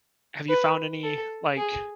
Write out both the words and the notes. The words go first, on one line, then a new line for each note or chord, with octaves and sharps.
Have you found any like
B4
A4
G#4